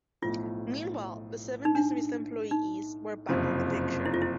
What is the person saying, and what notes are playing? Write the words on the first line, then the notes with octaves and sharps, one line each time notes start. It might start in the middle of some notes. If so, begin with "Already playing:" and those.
Meanwhile, the seven dismissed employees were back in the picture.
B1 A2 F3 F4
D#4
D4
D#4
F#1 F2 C3 F3
E4
F4
E4